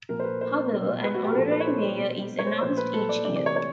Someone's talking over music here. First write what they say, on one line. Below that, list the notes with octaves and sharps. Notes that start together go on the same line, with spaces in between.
However, an Honorary Mayor is announced each year.
A#2 F3 A#4
C5
B4
C5
B2
B4
F#4
G4
A#4
A#2 F3 A4
B4
C#5
C5
B2
C#5
C5
A#2 F3 C5
B4
A4
D5
C3 E3 D5
D5
C#5
C#5